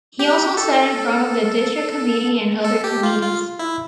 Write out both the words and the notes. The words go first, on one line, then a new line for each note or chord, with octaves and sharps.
He also sat in front of the district committee and other committees.
G4
A4
A4
G4
F4
F4
E4